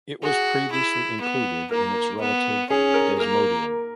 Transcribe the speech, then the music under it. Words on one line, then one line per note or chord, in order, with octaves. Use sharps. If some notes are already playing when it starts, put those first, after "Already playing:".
It was previously included in its relative "Desmodium".
F#4 G#4
E4
B3
A#3 A#4
B3
C#4 G#4
A#4
A#3 A#4